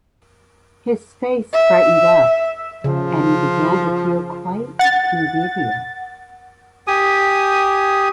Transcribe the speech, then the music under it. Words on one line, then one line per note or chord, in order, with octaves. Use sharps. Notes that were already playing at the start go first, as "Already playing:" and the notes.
His face brightened up, and he began to feel quite convivial.
E5
C#3 F3
F#5 A6
G4 G#5 D#6